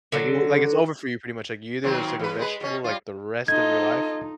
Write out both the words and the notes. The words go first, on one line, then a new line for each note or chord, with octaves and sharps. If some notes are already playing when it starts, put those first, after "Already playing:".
like, it wa like, it's over for you pretty much, like, you either just take a vegetable, like, the rest of your life.
D3 F#3
D#2 F#3 C4
E2 B4
G#3 B4
B2 C#4
G3 F4
D#4 F4 A4 D#5 G#6